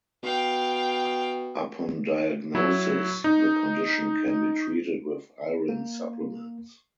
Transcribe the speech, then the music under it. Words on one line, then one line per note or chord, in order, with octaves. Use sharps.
Upon diagnosis, the condition can be treated with iron supplements.
B2 F5 G5
F#3 E4
D#4
A#3